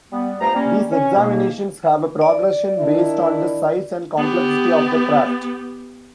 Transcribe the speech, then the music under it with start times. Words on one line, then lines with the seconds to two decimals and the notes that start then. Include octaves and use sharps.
These examinations have a progression based on the size and complexity of the craft.
0.13 G3 B3
0.41 G2 F3 A3 C5 A#5
0.55 G3 A#3 C#4
0.92 C#4
1.16 G#2 B2 A#3
2.21 D5
2.79 D#3 D4 E4
4.18 B3 G4